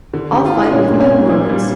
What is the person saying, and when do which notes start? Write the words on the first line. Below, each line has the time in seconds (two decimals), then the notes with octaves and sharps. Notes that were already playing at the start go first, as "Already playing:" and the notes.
I'll fight with my words,
0.13 D3
0.32 D3 G4
0.46 F4
0.52 D3 E4
0.63 D4
0.71 A#2 C#4
0.91 A#2 D4
1.01 C#4
1.10 A#2
1.25 E4
1.29 A#2 D4
1.49 G3